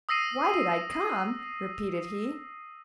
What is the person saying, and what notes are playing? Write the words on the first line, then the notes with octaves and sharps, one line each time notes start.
"Why did I come?" repeated he.
D#6 E6 A#6 C7 D#7